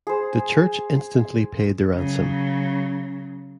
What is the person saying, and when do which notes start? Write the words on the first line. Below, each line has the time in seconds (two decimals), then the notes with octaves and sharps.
The Church instantly paid the ransom.
0.07 G#4 C5
1.95 C#3 F#3